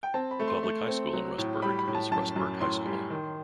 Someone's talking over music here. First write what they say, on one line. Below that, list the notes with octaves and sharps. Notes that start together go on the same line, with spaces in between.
The public high school in Rustburg is Rustburg High School.
G5
C4 A5
B5
A3
C6
A3
C4
F#3
A2
G3 B5
B5
A2
A5
F#2 A5
F#2
A2 C6
G3
D#3